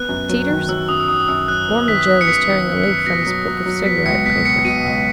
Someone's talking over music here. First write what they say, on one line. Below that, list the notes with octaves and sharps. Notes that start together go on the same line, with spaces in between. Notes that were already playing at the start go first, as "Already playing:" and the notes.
"Teeters?" Mormon Joe was tearing a leaf from his book of cigarette papers.
Already playing: B3 F#6
F#2
F#3
D#3
F#3 E6
F#2 D#6
E6
D#3 D#6
F#2 E6
F#3 F#6
B3
D#3 B6
D#3
C#7
B3 B6
D#3
B3
F#2
B2 A#6
F#3
F#3
F#3
B3 B6
C#2 C#7
B2 B6
B3 C#7
B2 D#7
C#2